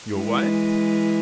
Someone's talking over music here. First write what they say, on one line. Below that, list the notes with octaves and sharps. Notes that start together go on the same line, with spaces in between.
"Your wife?"
E3 G#3